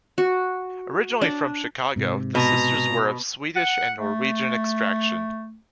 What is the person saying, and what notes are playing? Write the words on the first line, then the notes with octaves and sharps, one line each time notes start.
Originally from Chicago, the sisters were of Swedish and Norwegian extraction.
F#4
D4
G#2 C3
B2 A#5
F#5
A3